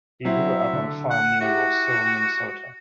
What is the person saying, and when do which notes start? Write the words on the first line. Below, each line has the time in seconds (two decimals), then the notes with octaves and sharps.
He grew up on a farm near Roseau, Minnesota.
0.25 F#3 C4 E4 E5
0.73 D3
1.10 F#5
1.41 E4 F#4 G4 F#5